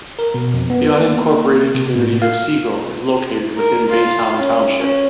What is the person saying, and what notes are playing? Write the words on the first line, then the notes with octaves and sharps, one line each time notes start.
The unincorporated community of Siegel is located within Baytown Township.
A#4
B2
F2
B3
A#3
C3
A2
F5
A#4
F4
C#4
C#4